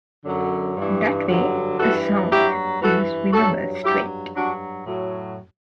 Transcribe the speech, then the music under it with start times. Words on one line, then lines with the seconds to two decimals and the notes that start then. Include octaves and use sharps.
That way a "sound" is a "swimmable strait".
0.25 F#2 D3 F#3
0.76 G2 E3
1.27 G2 D3 F#3
1.79 G2 E3 F#4 A4
2.30 G2 F#3 E4 G4
2.82 G2 E3 F#4 A4
3.32 G2 F#3 F#4 A4
3.84 G2 F#3 E4 G4
4.35 G2 F#3 D4 F#4
4.87 A2 F#3